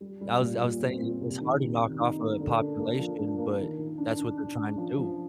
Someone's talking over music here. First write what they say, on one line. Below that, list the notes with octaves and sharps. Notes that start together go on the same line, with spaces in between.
I was I was saying, it's hard to knock off a population, but that's what they're trying to do.
G3
G3
A#2
A#2
C4
A#2
C3
D#3
C3
D#3
D#4
A#3
D3
D4
A#3
F3
D4
A#3
D#3
D#3
D4
D4
D4
D4
F3
F3